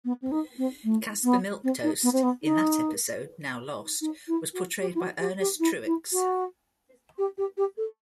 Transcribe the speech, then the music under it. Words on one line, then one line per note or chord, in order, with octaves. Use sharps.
Caspar Milquetoast in that episode, now lost, was portrayed by Ernest Truex.
B3
C4
D#4
C4
A3
B3
C4
D#4
B3
C4
B3
D#4
D#4
E4
F#4
G4
E4
F#4
G4
G4
E4
E4
F#4
G4
G4
G4
A4